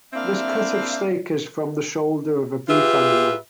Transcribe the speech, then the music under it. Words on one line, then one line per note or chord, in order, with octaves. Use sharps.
This cut of steak is from the shoulder of a beef animal.
A#3 C4 D4 E4 E5 F5
F4 G4 G#4 B4 E5